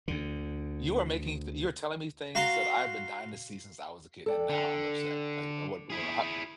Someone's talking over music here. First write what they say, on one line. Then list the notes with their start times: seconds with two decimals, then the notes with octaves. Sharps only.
you are making th you're telling me things that I've been dying to see since I was a kid, and now I'm upset. Like, uh, what or ho
0.08 D2 D3
2.35 F#4 F5 A#5 C6
4.26 A4 D5 G5
4.49 D3
5.90 E4 G#4